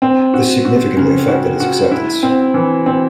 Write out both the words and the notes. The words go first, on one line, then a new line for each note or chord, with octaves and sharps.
This significantly affected its acceptance.
C4
F#4
F#4
C#3
F#4
F#4
E4
C4
E3
C4